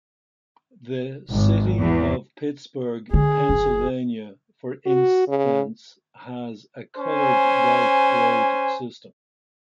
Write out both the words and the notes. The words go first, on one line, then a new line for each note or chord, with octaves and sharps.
The city of Pittsburgh, Pennsylvania, for instance, has a colored belt road system.
G#1
E2
D3 G#4
F#1
F#4
C#3
C#4 C5 G#5